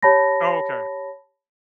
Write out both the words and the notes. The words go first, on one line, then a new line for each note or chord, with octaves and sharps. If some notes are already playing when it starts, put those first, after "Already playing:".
Oh, okay.
G4 C#5 A5 B5 A#6